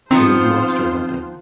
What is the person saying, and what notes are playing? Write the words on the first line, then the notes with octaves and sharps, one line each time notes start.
It is monster hunting.
D#3 F3 B3 C4 F4 C5